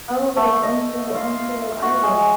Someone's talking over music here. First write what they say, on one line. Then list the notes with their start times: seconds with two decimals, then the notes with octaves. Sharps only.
Oh, like Uncle Uncle Iroh.
0.36 A3
0.63 D#5
1.15 F4
1.82 F#4
2.03 G#3